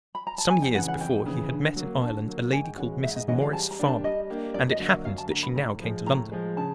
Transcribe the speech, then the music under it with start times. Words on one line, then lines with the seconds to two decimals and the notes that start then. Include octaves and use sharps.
Some years before he had met in Ireland a lady called Mrs. Maurice Farmer; and it happened that she now came to London.
0.15 B5
0.27 A#5
0.38 A5
0.50 F2 G#5
0.62 G5
0.75 C#3 E3 F#5
0.88 F#5
1.01 F2 G5
1.26 C#3 E3
1.52 D3
1.76 F#3 A#3
2.02 D3 A5
2.28 F#3 A#3
2.52 G#2 G#5
2.65 G5
2.77 E3 G#3 C#4 F#4 F#5
3.03 G#2 E5
3.16 D#5
3.28 E3 G#3 C#4 F#4 D#5
3.41 F5
3.53 G3 A5
3.71 A#5
3.79 A#3 D4 G4
3.88 A5
4.04 G3 D#5
4.30 A#3 D4 G4
4.54 F#2 D5
4.71 D#5
4.80 D3 F#3 A#3
4.89 E5
5.05 F#2 F5
5.18 A5
5.30 D3 F#3 A#3 A#5
5.43 B5
5.55 A2 A#5
5.81 F3 G#3
6.06 A2 A#5
6.32 F3 G#3
6.57 C#3 A5